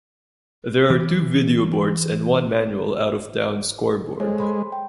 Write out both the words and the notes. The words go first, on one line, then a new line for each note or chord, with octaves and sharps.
There are two videoboards and one manual out-of-town scoreboard.
E3 G4
G#3 A4 C5 C#5
B5 C6
G5